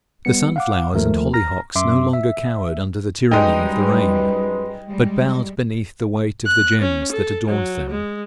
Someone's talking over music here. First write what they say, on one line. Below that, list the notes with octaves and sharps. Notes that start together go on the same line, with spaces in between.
The sunflowers and hollyhocks no longer cowered under the tyranny of the rain, but bowed beneath the weight of the gems that adorned them.
G3 B3 C#7
F5 F#5 D6
D#2 F3 A3 A#4
A#5 F6 A#6
F#2 E5 C6 D6
E5
F#2 G3 G#3 D#4 B4 D#5 G5
G3 G#3
F#6
C#4
A4
F#3
G#3